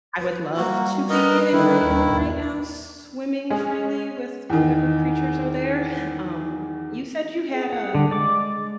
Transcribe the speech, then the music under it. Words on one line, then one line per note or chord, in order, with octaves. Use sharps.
I would love to be in Miami right now, swimming freely with whatever creatures are there. Um, you said you had a
B4
G3 A#3 F#4
A#4 B4 D#5
D3 D#3 G3 E4
D#2
G#3 C#4 G#4
E2 D#3
G#4
F#5
D3 G3
G#3 D5 D6